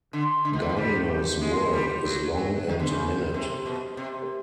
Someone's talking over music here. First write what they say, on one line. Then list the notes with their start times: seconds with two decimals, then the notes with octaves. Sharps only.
Gardiner's work is long and minute.
0.13 D3
0.45 D3
0.53 D#3
0.62 E3
0.69 F3
0.77 G3
1.41 G#3
1.73 G3
2.05 F#3
2.37 F#3
2.69 D#3
2.80 D3
2.91 C#3
3.34 C3
3.66 B2
3.97 C3